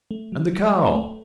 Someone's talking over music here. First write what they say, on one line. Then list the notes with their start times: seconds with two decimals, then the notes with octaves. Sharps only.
"And the cow?"
0.11 A3
0.32 F#3
0.53 F#3
0.75 A3
0.96 A3